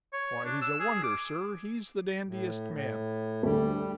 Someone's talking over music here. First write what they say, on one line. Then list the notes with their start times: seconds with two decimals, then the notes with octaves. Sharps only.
Why, he's a wonder, sir; he's the dandiest man.
0.13 C#5
0.45 D4
0.62 E6
0.80 G#4
1.04 D6
2.26 A2
2.70 A2
3.43 D2 G3 A3